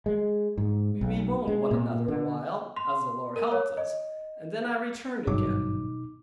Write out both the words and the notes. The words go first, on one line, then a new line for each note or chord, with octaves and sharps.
We bemoaned one another a while, as the Lord helped us, and then I returned again.
G#3
G#2
B1
G#3
A#2
D3
C6
A#4
C#5
D#5
G#1 G2 B2 F#3 D#4 D6